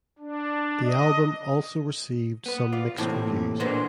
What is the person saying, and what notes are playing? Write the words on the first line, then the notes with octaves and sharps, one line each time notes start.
The album also received some mixed reviews.
D4
D#5
B3 B4
F4 D5
A2 C3 E3 A#3
A#2 G#3 B3 D4 D#4 C5